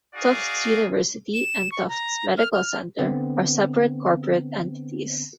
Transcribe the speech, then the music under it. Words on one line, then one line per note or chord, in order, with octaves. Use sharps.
Tufts University and Tufts Medical Center are separate corporate entities.
D#4 F#4 G#4 D5 F5
E7
C#6
A#5
F6
F6
D3 B3 C4